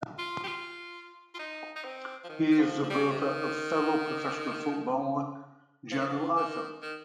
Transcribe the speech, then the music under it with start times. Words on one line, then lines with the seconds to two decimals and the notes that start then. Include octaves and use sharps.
He is the brother of fellow professional footballer, Jerel Ifil.
0.18 F4
0.44 G4
0.48 F4
1.34 F4
1.39 D#4
1.76 D#4
1.84 C4
2.24 F3
2.29 D#3
2.52 D#3
2.59 F3
2.83 F3
2.90 G3
3.10 C3
3.20 D#3
5.91 F3
5.99 D#3
6.07 F3
6.36 D#3
6.82 D#3